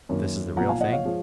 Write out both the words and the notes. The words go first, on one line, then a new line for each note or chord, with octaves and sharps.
"But this is the real thing?"
F#2 D#3 A#3
B1 A#2 F3 F#5 A#5
F5 G#5
D#5 F#5
C#5 F5
F3 G#3